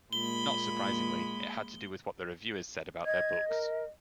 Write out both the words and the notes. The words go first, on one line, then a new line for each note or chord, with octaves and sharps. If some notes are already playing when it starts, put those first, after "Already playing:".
Not surprisingly, it had to do with what the reviewers said about their books.
A#2 G#3 A#3 B5 G7
D#5 G#6
A#4